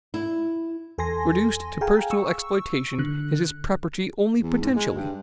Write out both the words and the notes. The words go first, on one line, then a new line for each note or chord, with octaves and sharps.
Reduced to personal exploitation, it is property only potentially.
E4
E2 A4 G#5 C6 A#6
G#4 F5 G5 G#5 A#5
C#6 E6
D3 F#6
E2
G#2
G#3
G2